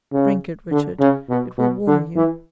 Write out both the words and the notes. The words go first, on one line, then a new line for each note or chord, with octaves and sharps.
"Drink it, Richard, it will warm you."
C#3
D3
C#3
B2
B2
D3
E3